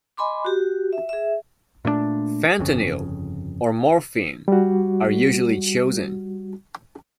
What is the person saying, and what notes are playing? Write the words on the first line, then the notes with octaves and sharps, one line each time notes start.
Fentanyl or morphine are usually chosen.
D#5 G#5 B5 C6 D6
F#4 G4
E5
G#4 E5
A#2 A3 A#3 D4
G1 F2 C#3
G3 F#4